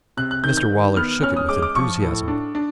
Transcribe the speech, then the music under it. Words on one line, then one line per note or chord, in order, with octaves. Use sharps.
Mr Waller shook it with enthusiasm.
C3 F#6
F#6
D#3 G6
G6
D#3
B3 F6
C#4 F6
D#6
G#3 D6
D6
F3 C#6
A2
D4
D4